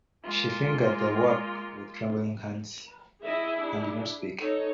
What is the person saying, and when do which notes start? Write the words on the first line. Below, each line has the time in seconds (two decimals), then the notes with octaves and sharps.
She fingered the work with trembling hands, and did not speak.
0.23 G#3 A#3 F4
3.22 E4 G#4 D#5 E5
3.59 D4
4.40 D#4 A4 C#5